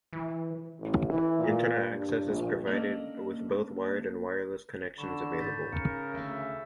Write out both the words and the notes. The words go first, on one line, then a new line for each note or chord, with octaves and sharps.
Internet access is provided, with both wired and wireless connections available.
E3
A1
E3
A#2
G2
A#1
A#3 C#4 D4 A4 D#5
D3 B5 C#6 E7
G#2 G6 A6 B6
C#3 A#4 C#7
D2 D3 E5